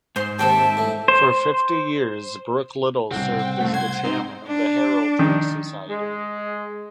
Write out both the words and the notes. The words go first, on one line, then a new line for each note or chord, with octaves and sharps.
For fifty years, Brooke-Little served as the chairman of The Heraldry Society.
G#2 C5 C6
D#2 C3 C5 E5 G5 A5
A2 E3
C5
C2 A2 C#3 C4 F#5
G5
F#2 A3
C5 G#6
G#2 C4 D#4
D4
D#3
G#3